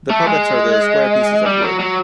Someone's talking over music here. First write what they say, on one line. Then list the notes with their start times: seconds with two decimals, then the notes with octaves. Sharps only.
The puppets are the square pieces of wood.
0.10 A3
0.27 G#3
1.46 G3
1.62 F#3
1.79 F#3